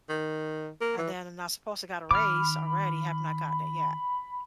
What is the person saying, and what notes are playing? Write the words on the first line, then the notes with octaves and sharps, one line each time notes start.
And then I supposed got a raise already, have not gotten it yet.
D#3
A#3
E3
D#3 B5 D6 F6